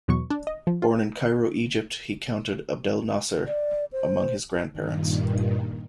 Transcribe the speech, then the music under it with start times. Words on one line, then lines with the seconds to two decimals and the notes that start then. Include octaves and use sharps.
Born in Cairo, Egypt, he counted Abdel Nasser among his grandparents.
0.08 E2 B2 F#3 C#6
0.30 D4
0.47 D#5
0.67 F3
0.82 F4
3.47 D5
3.93 C5
4.71 G2 A#2 D#3